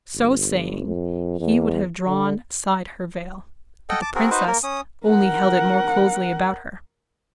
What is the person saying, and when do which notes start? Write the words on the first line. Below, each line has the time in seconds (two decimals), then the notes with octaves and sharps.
So saying he would have drawn aside her veil; but the princess only held it more closely about her.
0.14 G1
0.87 F2
1.39 E2
2.06 D3
3.89 A4 D#5 F#5 G5
4.02 A5 D6
4.15 C4 F#4 G#4 A#4
4.31 D#4 F#4 B4 C5
4.47 A#3 A#4
4.63 C#4 D#6
5.07 A#4 F#5